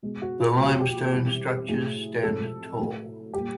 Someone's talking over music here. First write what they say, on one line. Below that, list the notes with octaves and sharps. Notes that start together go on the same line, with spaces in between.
The limestone structures stand tall.
B2 G#3
F#4
F4
A#2 F3 G#3 F#4
G4
F#4
G4
F#4
C3 E3 G3 G4
A2 F#3 G#4
C3 F3 G#3 A4
A2 F#3
A#2 G3 G4